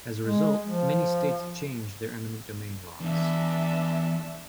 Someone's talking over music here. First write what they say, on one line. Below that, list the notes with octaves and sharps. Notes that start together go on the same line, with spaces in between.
As a result, many states changed their eminent domain laws.
G#3
F3
E2 D4 E5